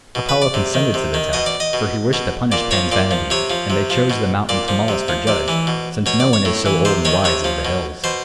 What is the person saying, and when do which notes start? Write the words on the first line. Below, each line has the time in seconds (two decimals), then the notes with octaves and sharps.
Apollo consented to the test, for he wished to punish Pan's vanity, and they chose the mountain Tmolus for judge, since no one is so old and wise as the hills.
0.15 B2
0.29 B4
0.42 D5
0.54 C3
0.74 D#3
0.94 C3
1.14 D#3
1.33 B2 D#5
1.46 D5
1.60 D#5
1.73 B2
2.13 B2
2.52 A#2 D5
2.71 F3 C#5
2.92 A#2 D5
3.11 F3
3.30 C3 C#5
3.50 F3
3.70 C3
3.90 F3
4.10 B2
4.49 A#2 D5
4.68 F3
4.88 C3
5.08 F3
5.27 C3 D5
5.48 E3
5.67 B2
6.06 B2 C#5
6.20 D5
6.33 C#5
6.45 A2
6.66 E3
6.85 C3 C5
7.05 D#3 C#5
7.24 C3 C#5
7.44 F3
7.65 B2
8.04 B2 C5